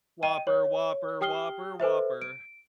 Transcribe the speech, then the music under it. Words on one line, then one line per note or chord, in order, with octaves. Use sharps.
Whopper, Whopper, Whopper, Whopper.
D#5 G5 D#7
C#5
G4 G5 D#6 F6 C7 G7
A4 B4 C5 E5
D7